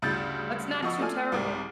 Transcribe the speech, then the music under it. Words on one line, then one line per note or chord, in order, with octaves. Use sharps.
That's not too terrible.
D2 G2 C#3 E4 G6 A6
F3 B3 D#5 C#6 E6
A3 F4 D5 G#5 F6
C2 G#2 G3